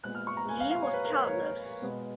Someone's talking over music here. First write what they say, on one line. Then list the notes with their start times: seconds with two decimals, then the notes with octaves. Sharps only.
Li was childless.
0.04 A#2 G#3 B3 F#6
0.15 F6
0.27 C#6
0.37 A#5
0.49 G#5
0.60 F5
0.71 F5
0.83 C#5
0.93 B4
1.05 A#4
1.12 C#5
1.15 B4
1.27 C#5
1.82 B2 G#3 B3